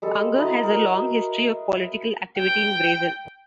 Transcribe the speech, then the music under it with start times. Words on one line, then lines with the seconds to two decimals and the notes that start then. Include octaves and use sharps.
Unger has a long history of political activity in Brazil.
0.02 G3 G#3 A4
0.36 E4 F#4 D#5 A#5
0.63 G#4 A#4
2.38 G5